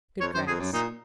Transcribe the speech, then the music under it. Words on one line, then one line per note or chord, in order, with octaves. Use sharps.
Good grass.
F2 C#5
F#2 C5
F2 G#4
F#2
A#2 D#4